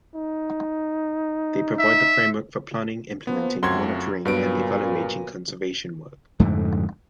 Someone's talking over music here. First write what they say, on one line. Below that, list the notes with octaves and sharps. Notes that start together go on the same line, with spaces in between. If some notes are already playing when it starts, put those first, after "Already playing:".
They provide the framework for planning, implementing, monitoring and evaluating conservation work.
D#4
E5
F3 A#3 B3 C5
F#2 F3 A3 C4 F#4 C6 G#6
G2 A#2 F#3 B3 D7
F2 G#2 D3 A3